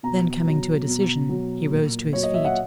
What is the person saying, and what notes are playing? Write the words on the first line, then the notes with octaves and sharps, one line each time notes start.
Then coming to a decision, he rose to his feet.
B2 A#5
F#3
B2
F#3
A#2
F#3 C#5
D#5
E5
F#5